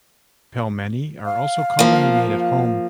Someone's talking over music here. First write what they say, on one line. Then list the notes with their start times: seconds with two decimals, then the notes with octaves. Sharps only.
Pelmeni are also commonly made at home.
1.25 F5
1.79 F3 A#3